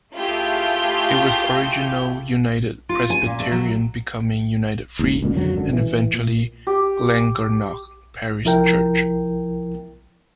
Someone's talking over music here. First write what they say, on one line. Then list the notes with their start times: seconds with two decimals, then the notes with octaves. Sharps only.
It was original United Presbyterian becoming United Free and eventually Glengarnock Parish Church.
0.13 A3 E4 F4 G4 G#4 G6
2.89 F4
3.10 G#5
3.26 A#2
3.40 A3
3.52 F#3
4.99 G#1 D#2
5.22 C#2 A#2 D3
5.35 F2 D3 F3 F#3
5.54 G#1 F#2 D3
5.73 E3
6.13 A#2
6.67 G4
8.44 C2 F3 E4 A#4 G5